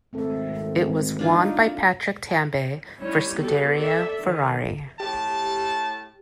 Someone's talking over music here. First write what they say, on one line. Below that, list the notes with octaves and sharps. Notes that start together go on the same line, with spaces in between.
It was won by Patrick Tambay for Scuderia Ferrari.
G#1 A3 C4 A4
D4 D#4 F4
G3 C#4 D#4 E4 C#5
B3 F#4 G4 A4
A4 D5 E5
D#3
A2 G4 A5